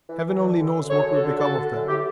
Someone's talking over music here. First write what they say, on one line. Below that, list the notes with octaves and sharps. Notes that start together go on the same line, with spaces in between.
Heaven only knows what will become of them...
E3
E3
D3
D3
F#2
F#2 A4 C#5
D3
F#4 A4
D3
D3 F#4 A4
D3
F#2
E4 G4